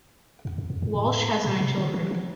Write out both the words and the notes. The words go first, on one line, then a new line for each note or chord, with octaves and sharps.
Walsch has nine children.
F2
F2
F2
A2
A2
A#2
C3
D3
E3
F3